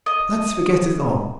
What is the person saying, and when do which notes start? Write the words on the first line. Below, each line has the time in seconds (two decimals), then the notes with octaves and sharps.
Let's forget it all.
0.06 D#5